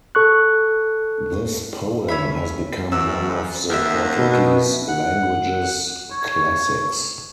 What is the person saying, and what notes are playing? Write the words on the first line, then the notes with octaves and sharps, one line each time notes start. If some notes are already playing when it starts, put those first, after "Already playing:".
This poem has become one of the Portuguese language's classics.
A4 C#6 F#6
C#4 E5 B5
F#2 E6
D#2 F#4 A#4 E5
B2
F#5
C#5